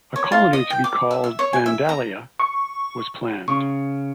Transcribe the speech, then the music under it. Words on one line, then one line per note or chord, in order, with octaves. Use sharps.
A colony to be called "Vandalia" was planned.
C#5
F4
D#5
G5
D6
E5
E5
C#5
G#5
E5
A#5
C#6
C#3 C#6